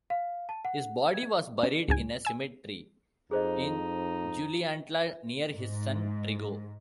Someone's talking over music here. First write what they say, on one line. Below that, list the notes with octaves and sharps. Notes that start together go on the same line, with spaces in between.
His body was buried in a cemetery in Juliantla near his son Trigo.
F5
A5
F#5
G#6
C#4
C#2 G#2 G#5
G#5 E6
F2 D#4 G#4 C5 D#5
G#2